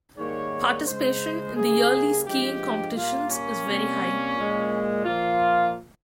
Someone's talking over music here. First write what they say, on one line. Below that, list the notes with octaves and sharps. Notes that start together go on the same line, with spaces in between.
Participation in the yearly skiing competitions is very high.
G#2 D#3 G3 A#3 C#5
C#3 G#3 C5
C#3 G3 A#3 G#4
G2 F3 G#3 G4
A#2 G3 A#3 F4
C#4
C3 G3 A#3
A#2 G#3
A#2 F3 A#3 F4